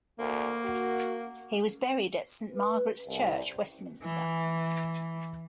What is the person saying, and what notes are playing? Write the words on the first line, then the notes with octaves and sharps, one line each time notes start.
He was buried at Saint Margaret's Church, Westminster.
D2 A#3
F#4
B4
C2
E3